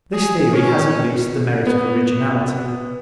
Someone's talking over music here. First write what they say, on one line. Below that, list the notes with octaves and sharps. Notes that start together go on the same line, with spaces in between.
This theory has at least the merit of originality.
G#4
C#4
B3